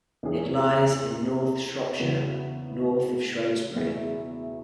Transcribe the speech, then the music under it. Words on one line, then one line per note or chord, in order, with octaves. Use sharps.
It lies in North Shropshire, north of Shrewsbury.
E2 E3 C#4 G#4
E2 C#3 E3 B3 F#4
E2 B2 B3 E4 G#4